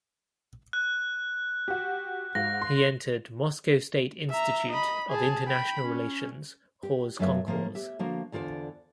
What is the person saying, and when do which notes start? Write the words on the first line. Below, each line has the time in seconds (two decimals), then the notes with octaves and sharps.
He entered Moscow State Institute of International Relations hors concours.
0.73 F#6
1.68 F#4 G4
2.35 G#2 F#4 F5 A#6
2.62 C6
4.31 E5 A#5
4.70 D#5 B5
5.09 G#4 A5
5.48 G5 B5
5.85 C#4
6.83 G4
7.19 F#2 F#3 A3 B3 E5 F5
7.47 A2 F3 A#3
7.75 G4 E5
7.99 D3 F3 A#3 F#4
8.32 E2 D3 F4 C5 D5